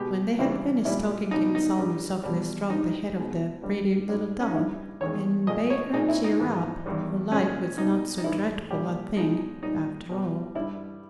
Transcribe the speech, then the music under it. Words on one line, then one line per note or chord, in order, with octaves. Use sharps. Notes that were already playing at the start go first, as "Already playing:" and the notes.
When they had finished talking King Solomon softly stroked the head of the pretty little Dove and bade her cheer up, for life was not so dreadful a thing, after all.
Already playing: B2 G#3 G4
E2 C#3 E3 G3 E4
A#2 G3 E4
B2 G3 D#4
D#4
G2 G3
E2 B2 G3
G2 G3 D#4
B2 G#3
G2 G3
G#2 G3
C#4
D#4
G2 G3 E4
E2 D#3 G#3 C#5
A#2 G#3 D#5
C#5
A#2 G#3 D#4
E4
D#4
G#2 E3 G#3
E2 D#3 G3
A#2 G#3 C#4
B2 G3 D#4
D#4
G#2 E3 G3 E4
A#2 G3 G4
B2 G#3 D#4
A#2 G3 D#4
B2 G3
G2 G3 E4